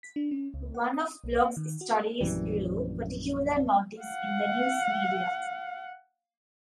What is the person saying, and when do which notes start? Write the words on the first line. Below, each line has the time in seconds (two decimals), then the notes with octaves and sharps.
One of Block's studies drew particular notice in the news media.
0.03 B6
0.16 D4
0.31 C#4
0.54 C#2
0.75 F#5
0.94 D#6
1.24 B1
1.44 A#3
1.57 D#3
1.81 F#4
1.96 A4
2.21 A#1 F#2 E3 G3
4.02 F5 F#5